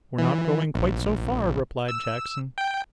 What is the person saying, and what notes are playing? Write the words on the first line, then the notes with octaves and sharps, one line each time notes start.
'We're not going quite so far,' replied Jackson.
E3
A#1
E6
G5